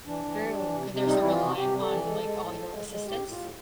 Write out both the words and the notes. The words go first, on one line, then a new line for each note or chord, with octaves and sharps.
True, 'cause they're so reliant on, like, all your assistance.
E3 D4
E3
G3
E3
C3
C3
G3 D#4
E4
E3
F4
C3 F#4
C3 G4
G3
A4
E3
G#3 A4
G#3
A2
F3
G#3
G#3
A2 G4
A2
F4
A2